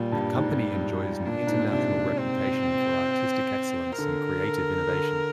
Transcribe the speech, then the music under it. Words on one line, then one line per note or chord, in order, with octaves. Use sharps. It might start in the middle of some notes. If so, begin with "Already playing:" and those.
The company enjoys an international reputation for artistic excellence and creative innovation.
Already playing: A#2 G3
G2
G#2
A#2 D4
G#2
A#2
C3 D4
C4
D3 A#4
D3
D3